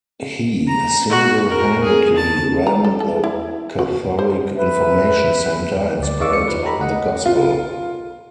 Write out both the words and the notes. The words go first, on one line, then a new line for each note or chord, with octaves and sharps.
He singlehandedly ran the Catholic Information Centre and spread the Gospel.
A#5
F#4
A#4
G#4
A5
A#5
A4
A4
E4
F#4
C5
B4 E5
D2 D5
D5 D#5 F5 C#6 D6 E6
G#3 G4 C#7
D#4 F4 B4 C#5
D#4 F#4 G4 A4 A#5 B5
D#5 F#5
F4